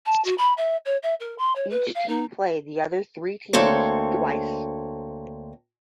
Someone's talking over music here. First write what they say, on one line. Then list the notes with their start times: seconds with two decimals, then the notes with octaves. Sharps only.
Each team played the other three teams twice.
0.06 A5
0.24 F#4
0.38 B5
0.57 E5
0.85 C#5
1.03 E5
1.20 A#4
1.38 C6
1.55 C#5
1.70 B4
1.95 F5
2.08 D#4
3.53 D2 A#3 C4 A4 C#5